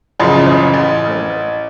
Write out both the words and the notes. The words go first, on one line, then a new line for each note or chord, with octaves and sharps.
Yeah, for sure.
A1 F#2 C#3 F3
A1